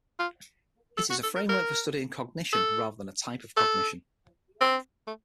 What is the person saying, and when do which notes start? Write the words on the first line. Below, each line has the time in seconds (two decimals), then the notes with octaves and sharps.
It is a framework for studying cognition rather than a type of cognition.
0.19 F4
0.97 A4
1.10 F#4
1.23 A4
1.36 A#4
1.49 A#4
2.53 A4
3.57 A4
4.61 C4
5.07 A3